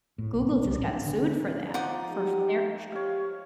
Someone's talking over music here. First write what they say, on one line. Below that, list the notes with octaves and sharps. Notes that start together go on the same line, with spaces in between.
Google just got sued for that for sar sh
A2
B1
D4
C2
A1
D4
D3
F3 D#4 F#5 D6
G4
G4 C#5 F5